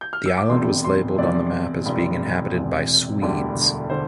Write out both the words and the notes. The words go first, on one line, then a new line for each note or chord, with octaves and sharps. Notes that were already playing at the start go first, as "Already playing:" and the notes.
The island was labeled on the map as being inhabited by Swedes.
G6
F6
E6
D6
E1 E2 C3 C6
C6
E1 E2 C3 D5
E1 E2 C3
E1 E2 C3
E1 D2 D3 G3
D3 C5